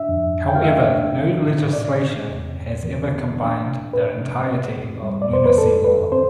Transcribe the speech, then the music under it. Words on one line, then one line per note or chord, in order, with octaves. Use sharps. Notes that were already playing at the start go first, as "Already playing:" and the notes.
However, no legislation has ever combined the entirety of Lunacy Law.
Already playing: D4 E5
F2
F2
G5
F5
A3 E5
D4
C4
A2
A2 D5
C4
E2
E2
E3
B3
D4
C3
C3 B4
C3
C4
F2
G3
D5
F2 C5
B4
G2 A4
G2 B4
C4 C5